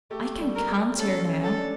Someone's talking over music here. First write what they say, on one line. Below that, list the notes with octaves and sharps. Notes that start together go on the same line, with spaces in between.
"I can canter now!"
A3 G4
G3
A#4
A3
C#4 A4
C#4
A4
D4